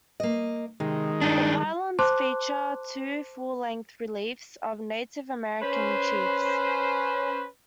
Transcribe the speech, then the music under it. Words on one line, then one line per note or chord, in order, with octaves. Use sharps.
The pylons feature two full-length reliefs of Native American chiefs.
A#3 D#5
C3 D#3 G#3
G2 D4 D#4
C5 A5 C6 D6 F#6
C#4 B4 C5